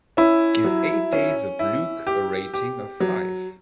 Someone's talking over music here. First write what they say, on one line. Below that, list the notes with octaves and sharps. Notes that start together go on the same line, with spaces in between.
Give Eight Days of Luke a rating of five.
C#4 E4
F#3
C#4
E4
G4
G4
F#3